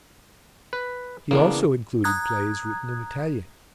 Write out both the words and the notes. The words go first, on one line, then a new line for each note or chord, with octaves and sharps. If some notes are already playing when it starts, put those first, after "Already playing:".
He also included plays written in Italian.
B4
C#3 E3 A#3 B3 D4
A#5 D#6 F#6 G#6